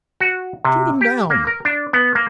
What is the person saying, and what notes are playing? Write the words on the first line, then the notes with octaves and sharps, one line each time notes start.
"Shoot 'em down!"
F#4
C3
G4
A#3
A#4
D4
B3
A#3